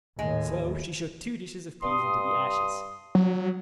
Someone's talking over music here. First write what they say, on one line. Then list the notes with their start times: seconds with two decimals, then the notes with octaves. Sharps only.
So she shook two dishes of peas into the ashes.
0.19 D#2 A2 G#3
1.83 G2 C6 D#6
3.15 F#3